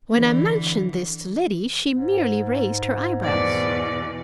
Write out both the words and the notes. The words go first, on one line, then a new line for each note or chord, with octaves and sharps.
When I mentioned this to Liddy she merely raised her eyebrows.
D3 E3
G#2
E2 B2 D5